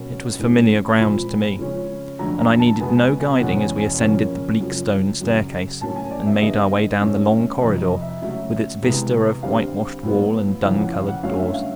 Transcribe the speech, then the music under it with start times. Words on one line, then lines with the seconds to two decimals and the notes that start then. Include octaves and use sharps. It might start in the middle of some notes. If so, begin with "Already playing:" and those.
It was familiar ground to me, and I needed no guiding as we ascended the bleak stone staircase and made our way down the long corridor with its vista of whitewashed wall and dun-coloured doors.
Already playing: B2 F#3 A#3 C#4
0.39 A2 E3 G#3 C#4
0.99 A#2 F3 G#3 C4 B5
1.59 C#3 F3 G#3 C#4
2.19 F2 D3 F#3 A3 A#5
2.40 A#5
2.60 A5
2.80 B2 G#3 B3 G#5
3.00 G#5
3.20 G#5
3.40 E2 B2 G#3 C#4 F#5
3.61 G#5
3.80 G#5
4.00 F2 C#3 F3 A#3 C#4
4.61 F#2 C#3 F3
5.21 F#2 C#3 F#3
5.81 A2 F#3 A#3 C#4 A5
5.96 G#5
6.11 D5
6.26 E5
6.41 D3 G3 B3 D#5
7.02 G2 E3 A3 C#4
7.62 F2 C3 F3 D#5
7.82 D#5
8.02 E5
8.22 C#3 F#3 A3 E5
8.82 C3 E3 G#3 B3
9.43 D3 G3 C4 F5
10.03 A2 F#3 B3
10.63 F2 C#3 E3 F5
10.79 F#5
10.93 F5
11.08 F#5
11.23 G2 D3 F#3 A3 C#4 F5
11.39 E5
11.54 F5